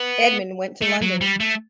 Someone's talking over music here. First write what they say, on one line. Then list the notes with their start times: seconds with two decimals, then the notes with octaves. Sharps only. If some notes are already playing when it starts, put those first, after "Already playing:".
Edmund went to London.
Already playing: B3
0.82 A3
1.02 F#3
1.21 G3
1.40 A3